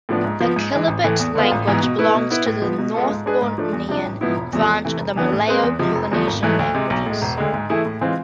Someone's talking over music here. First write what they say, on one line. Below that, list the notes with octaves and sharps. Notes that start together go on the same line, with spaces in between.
The Kelabit language belongs to the North Bornean branch of the Malayo-Polynesian languages.
A2 F3 B3 D4
G#2
F3 B3
G#2
E3 G#3
A1
A2 E3 A3
E2
D3 G#3 B3 F4
A1
G#2 E3 B3
B2
A3 E4 B4
B2
B3 E4 B4
A2
F3 B3
B2
G#3 B3 F4 A4
G#2
G#3 D4 G#4 B4
G#2
F3 A3 D4
E2
C3 F3 G#3 D4
A1
G#2 F3 B3 E4
E1
E2 C3 F3 A3
E2
C3 E3 A3
F1
F2 E3 B3 D4
A2
G#3 C4 G#4 B4
E2
C3 F3 G#3
F1
E2 D3 F3 A3
G#1
G#2 E3 A3
D2
C3 G#3
B1
A2 G#3
E1
D2 D3 G#3
G#2
E3 A3 E4 G#4
A2
E3 G#3 C4 F4